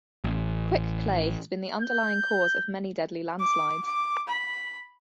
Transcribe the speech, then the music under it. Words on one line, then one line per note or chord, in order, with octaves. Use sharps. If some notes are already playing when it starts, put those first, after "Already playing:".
Quick clay has been the underlying cause of many deadly landslides.
A1
G6
D6
D6
B5